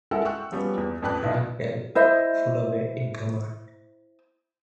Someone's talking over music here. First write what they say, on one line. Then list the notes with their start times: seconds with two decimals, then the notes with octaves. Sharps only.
Frank L. Fullaway in command.
0.11 G#3 E4 A4 A#4 E5 F#5
0.25 G5 C#6 E6 F#6
0.52 F3 G3 B3 C#4
0.77 E2
1.02 A1 F2 B4 D5 A5 F#6
1.23 B1 B3 E4 F4
1.95 E4 C5 D#5 E5